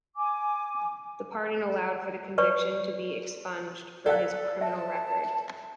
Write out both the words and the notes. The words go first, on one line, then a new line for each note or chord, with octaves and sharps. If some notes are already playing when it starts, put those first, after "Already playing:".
The pardon allowed for the conviction to be expunged from his criminal record.
G#5 D6
B4 C#5 D5 C#6
A4 D5 F5 F#6
E5 A5